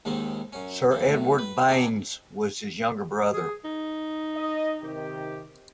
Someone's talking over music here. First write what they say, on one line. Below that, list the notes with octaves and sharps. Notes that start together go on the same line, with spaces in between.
Sir Edward Baines was his younger brother.
D#2 G#2 D#3 C4
F#2 C#4
F2 E3
B1 A2
B4
C4 D4 D#4 G#4
G#4
D#4
D#5
C3 D#3 G4